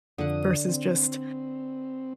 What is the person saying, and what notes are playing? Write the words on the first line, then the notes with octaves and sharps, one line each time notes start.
versus just,
F2 D3 F#5 D#6
C4